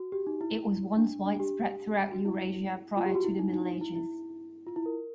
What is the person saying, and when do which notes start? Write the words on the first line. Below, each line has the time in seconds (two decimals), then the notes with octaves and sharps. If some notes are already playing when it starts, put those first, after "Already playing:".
It was once widespread throughout Eurasia prior to the Middle Ages.
Already playing: F#4
0.12 G4
0.27 D#4
0.41 E4
0.97 D4
1.25 D4
1.40 G4
2.11 F#4
2.25 E4
2.97 F4
3.06 G4
3.15 F#4
3.24 E4
3.39 D#4
3.53 D#4
3.81 E4
3.95 E4
4.67 F4
4.76 E4
4.86 A#4